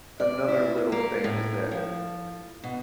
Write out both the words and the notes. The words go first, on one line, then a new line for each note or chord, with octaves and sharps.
another little things that
D5
E4
A#3
A2
F3
B2